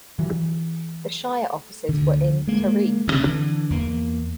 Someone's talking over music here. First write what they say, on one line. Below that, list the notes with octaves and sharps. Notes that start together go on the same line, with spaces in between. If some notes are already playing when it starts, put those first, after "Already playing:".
The shire offices were in Taree.
E3 F#3
D2 D3
G#3 A#3
A1 C3
D3 E3
E2 A#3